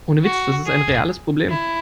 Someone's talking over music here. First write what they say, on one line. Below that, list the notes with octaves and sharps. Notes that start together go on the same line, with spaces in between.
Ohne Witz, das ist ein reales Problem.
F#4
G#4
E4